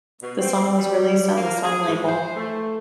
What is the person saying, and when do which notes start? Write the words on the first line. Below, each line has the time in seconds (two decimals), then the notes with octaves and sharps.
The song was released on the Sun label.
0.22 B2
0.41 C4
0.78 G3
1.37 A#3
1.63 G#4
1.88 G#2
2.07 C5
2.36 A3